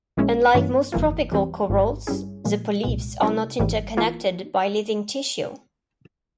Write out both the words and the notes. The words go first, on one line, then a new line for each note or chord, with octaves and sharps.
Unlike most tropical corals, the polyps are not interconnected by living tissue.
A#1 A#2 G#3 C#4 E4
G2 E3 A#3 C#4
G1 F2 E3 A#3 F4
E2 E3 G3 C4
G#1 G#2 F3
G2 G3 C#4 E4 G#4
A#2 F3 G#3
C2 A#2 G#3
C3 G3 C#4 E4 A#4
G#1 G#2 E3 G3
E3 A#3 F4